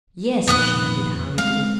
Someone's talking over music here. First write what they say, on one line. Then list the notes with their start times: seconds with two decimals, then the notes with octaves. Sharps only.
"Yes," she nodded hurriedly.
0.47 F2 A#2 D#3 B3 D#6 F#6
1.38 G#3 C4 F5